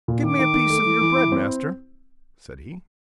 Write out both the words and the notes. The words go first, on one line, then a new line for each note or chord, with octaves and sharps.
"Give me a piece of your bread, master," said he.
A#2
D#3 D6
D#3
D#3
A3
E3
E3
E4
C4